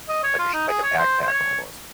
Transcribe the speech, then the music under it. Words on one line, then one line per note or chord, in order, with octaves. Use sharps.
like a like a backpack almost.
D#5
C#5
F4
D#4
G#4
C#5
C5
C5
C#5